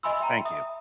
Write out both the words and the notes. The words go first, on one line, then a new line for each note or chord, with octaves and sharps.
Thank you.
D#5 E5 G#5 B5 C6 E6
E5 G5 A#5 B5
E5 D#6